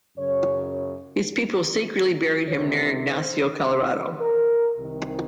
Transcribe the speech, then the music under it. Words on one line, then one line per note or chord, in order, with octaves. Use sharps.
His people secretly buried him near Ignacio, Colorado.
F#2 C#3 C#5
C#2 C3 D#3 C#5
C5
A#4
C2 C3 D#3